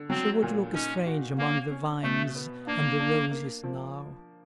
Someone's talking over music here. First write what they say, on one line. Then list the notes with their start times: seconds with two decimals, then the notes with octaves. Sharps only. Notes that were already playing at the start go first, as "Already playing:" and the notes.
"She would look strange among the vines and the roses now."
Already playing: D3
0.10 F#3 C4
0.42 A#2
0.74 C#4 D#4
1.07 F#4
1.38 A#3 C#4
1.71 C#4
2.03 B2 A3
2.35 B3
2.67 A#3 D4
2.99 D4
3.31 A#3
3.64 F3